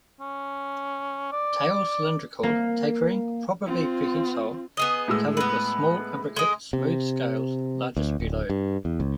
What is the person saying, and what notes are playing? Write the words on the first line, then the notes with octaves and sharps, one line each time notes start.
Tail cylindrical, tapering, probably prehensile, covered with small imbricate smooth scales, largest below.
C#4
D5
A#3
C4 F4
B3 G#4 D#5
A2 G#3 E6
B3 B4
G#3 D#5
C3
D2
D1
G2
E2
C#2